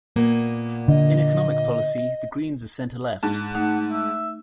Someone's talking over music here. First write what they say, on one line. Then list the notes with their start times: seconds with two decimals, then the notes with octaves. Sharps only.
In economic policy, the greens are center-left.
0.16 A#2 A#3 B3
0.88 D3 D#5
3.23 G#2 A5
3.55 A3 D#4 F#5
3.92 E5